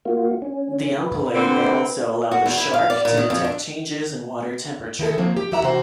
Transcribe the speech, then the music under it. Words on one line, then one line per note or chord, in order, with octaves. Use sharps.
The ampullae may also allow the shark to detect changes in water temperature.
A#3 F4 F#4
C#4
B4
D3 C4
F#4
E2
E4
F5
D5
A#2
D#3
F2
D4
D#3 E4 G#4 A4
F3 F#3 A#3 C4
G4
E2 F#3 F#4 E5 A5 A#5
C3 E3 F#4 C5